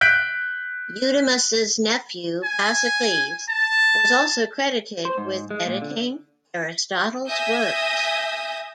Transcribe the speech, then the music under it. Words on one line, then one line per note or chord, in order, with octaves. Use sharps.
Eudemus' nephew, Pasicles, was also credited with editing Aristotle's works.
F#6 G6 B6 D7
G#5
A5
C5
G#2
G#3
A#2
D3
E5 G#5 D#6 G6 A#6